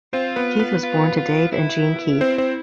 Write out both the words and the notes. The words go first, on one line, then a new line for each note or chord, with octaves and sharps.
Keith was born to Dave and Jean Keith.
C4 F4 C5
B3 B4
B3 B4
F4
F4
E4
C4 C5
C4 C5